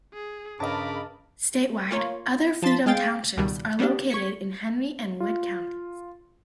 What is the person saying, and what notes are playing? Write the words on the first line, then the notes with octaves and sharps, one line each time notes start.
Statewide, other Freedom Townships are located in Henry and Wood counties.
G#4
G2 C#3 A#4 D#5 A5 B5 D6
A#3 F4 C#5
F3 A5 C6 A6 B6
G#3 G#4 F5 G5 A6
C#2 B2 D#3 G3
G3 B3 C4 D4 G4
C#6 G#6 B6 C#7
F4